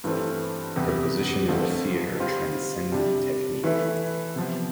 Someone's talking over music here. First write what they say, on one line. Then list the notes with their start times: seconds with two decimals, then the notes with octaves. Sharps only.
Her position in the theatre transcended technique...
0.04 G2 E3 A3 C4
0.76 E2 C3 G3
1.48 F2 D3 A3 C4 F4
2.20 G3 C4 F4
2.92 C3 G3 D4
3.64 E3 A3 E4 B4
4.36 C3 F3 B3